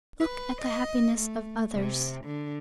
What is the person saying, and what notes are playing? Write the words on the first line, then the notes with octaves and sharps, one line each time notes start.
"Look at the happiness of others."
B4
D#5
A3
C3
D3